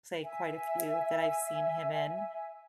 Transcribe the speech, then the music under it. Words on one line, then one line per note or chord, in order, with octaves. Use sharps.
say quite a few that I've seen him in,
E5 G#5